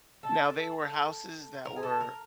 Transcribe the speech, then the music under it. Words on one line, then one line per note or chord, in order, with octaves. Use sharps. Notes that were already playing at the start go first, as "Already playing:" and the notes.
Now, they were houses that were
A4
A#4
G#4
A4
A#4